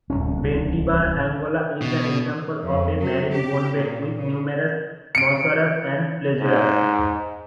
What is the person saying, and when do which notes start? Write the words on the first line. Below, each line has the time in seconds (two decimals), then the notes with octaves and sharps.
Bentiaba, Angola, is an example of a marine bonebed with numerous mosasaurs and plesiosaurs.
0.10 D1 C2 C#4
1.81 B2
2.63 F2
2.99 F#3
3.32 G4
3.75 A#2
4.17 C#3
5.15 C#7 D7
6.40 G#2